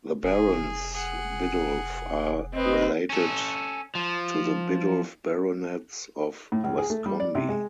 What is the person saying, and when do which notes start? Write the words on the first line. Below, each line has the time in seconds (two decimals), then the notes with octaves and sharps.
The Barons Biddulph are related to the Biddulph baronets of Westcombe.
0.23 F1 G#4
0.93 G#4 F#5
2.54 C4 B4 D#5
3.10 C#4 A4
3.95 F3
6.52 A2
6.64 C#2
6.78 G#4
6.90 A3
7.06 G3
7.20 D5
7.35 C3
7.49 G#3